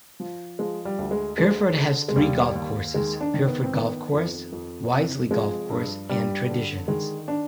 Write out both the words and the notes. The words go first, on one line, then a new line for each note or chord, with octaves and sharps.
Pyrford has three golf courses: Pyrford Golf Course, Wisley Golf Course and Traditions.
F3
F3 G#3
G3
D2
G#3
D2 G#3
D3
G#3
D#2 G3
D#2
D#3 G#3
D4
D#3
B3
C4
D#3 B3
F2
F2
C3
F3 G#3
G2
G2 G3
D3
D#3 G#3
D4